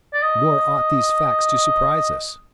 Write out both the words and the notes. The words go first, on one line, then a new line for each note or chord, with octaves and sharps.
Nor ought these facts to surprise us.
D5
D#5